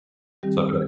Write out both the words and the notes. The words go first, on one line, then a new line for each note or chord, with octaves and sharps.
so I feel like
D#3 G3 C4 G4